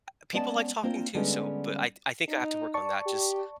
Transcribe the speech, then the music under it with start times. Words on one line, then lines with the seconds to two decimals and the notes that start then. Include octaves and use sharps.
uh, people like talking too, so, but I I think I have to work on that just
0.33 G#3 B3 C#4 D5 F5 A5
0.83 A#3 C4 D4 F4 C5
1.14 D3 G3 G#3 B3 C#4 D4
2.28 D#4
2.74 D5 A5 C#6
3.06 G4